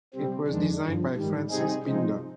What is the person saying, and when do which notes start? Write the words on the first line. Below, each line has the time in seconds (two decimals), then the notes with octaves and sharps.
It was designed by Francis Bindon.
0.14 C3 G3 C4
0.48 F2 D#3 G#3 D4
0.82 G2 D3 F3
1.16 G#2 D#3 G3
1.50 C3 G3 C4 D#4 G#4
1.83 C3 F3 G#3 C4 D#4